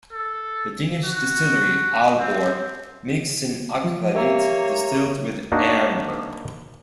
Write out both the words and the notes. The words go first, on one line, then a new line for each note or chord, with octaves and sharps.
The Danish distillery Aalborg makes an akvavit distilled with amber.
A4
F#4
C4
F3
A#3 G4 A#4 C#5 E5
A#3 D4 D#4 F#4